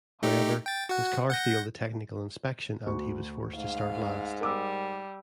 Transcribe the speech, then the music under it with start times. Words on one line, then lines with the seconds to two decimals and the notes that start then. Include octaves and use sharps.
However, his car failed the technical inspection and he was forced to start last.
0.23 A3 D#4 G4
0.66 G5 A6
0.89 F#4 F#5
1.30 F#5 G6 A#6
2.86 D2 F#4 C#6
3.54 G#2 F5
4.41 G3 A#4 D6 E6